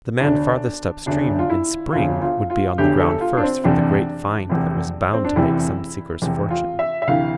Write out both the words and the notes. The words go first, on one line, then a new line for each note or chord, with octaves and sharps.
The man farthest upstream in spring would be on the ground first for the great find that was bound to make some seeker's fortune.
E1 D2 D3 D4
E1 D2 D3 D4
F4
E4
E1 D2 D3 F4
F4
F4
E1 D2 D3 G4
A4
F4
D4
C4
F1 E2 C3 D4
F1 E2 C3
C4
D4
F1 E2 C3 E4
F1 E2 C3
F4
E5
E5
D2 C3 E3 F5